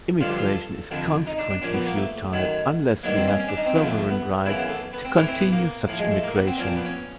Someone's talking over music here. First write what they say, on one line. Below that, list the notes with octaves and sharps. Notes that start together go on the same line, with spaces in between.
Immigration is consequently futile unless we have the sovereign right to continue such immigration.
G2 D3 F3 F4
G4
F4
A4
F2 D3 F3
D#4
D4
D4
A#2 F3 C#4
B3
A#3
A3
F#2 D#3 F#3
G2 D#3 F#3 A#3
C4
C#4
C#4
D4
D#4
C4
F2 D3 F3 B3
A3
A3
B3
F#2 C#3 E3 E4
B3
A3
B3
C4
A2 E3 C#4
C4
B3
A#3
A2 F3
G#3
A3
A#3
B3
C4
A#2 F3 C#4
C4
B3
C#4